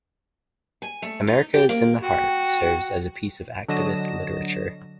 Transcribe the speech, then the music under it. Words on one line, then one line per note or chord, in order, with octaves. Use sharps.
"America Is in the Heart" serves as a piece of activist literature.
G#5
A3
D#4
G4
A#3
F#4 G5
D3 F#3 D#5 A#6 E7